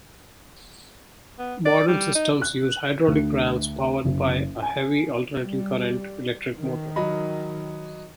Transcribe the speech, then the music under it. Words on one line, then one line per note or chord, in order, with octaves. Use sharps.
Modern systems use hydraulic rams powered by a heavy alternating current electric motor.
B3
D5
G3
D#4
F#6
D2
F#1
G#5
G3
D#3
F#3 D#5 B5